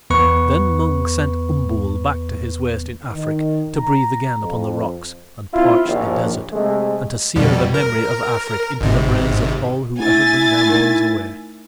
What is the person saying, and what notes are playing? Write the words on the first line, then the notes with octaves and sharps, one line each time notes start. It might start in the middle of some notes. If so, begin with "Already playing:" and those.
Then Mung sent Umbool back to his waste in Afrik to breathe again upon the rocks, and parch the desert, and to sear the memory of Afrik into the brains of all who ever bring their bones away.
E2 B3 B4 C#6
D#3
A#5
F2
C4 E4 F4
A#1 D#2
C3 G#3 A3
F2 B2 G3
A#4
G#1 G#2 C3
A3 D4 E4 G#5 A6
A3 D#4 A#4